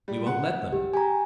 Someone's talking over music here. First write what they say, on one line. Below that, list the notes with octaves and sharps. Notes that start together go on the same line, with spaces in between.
We won't let them....
G3
F#5
G4
G4 G#5 A#5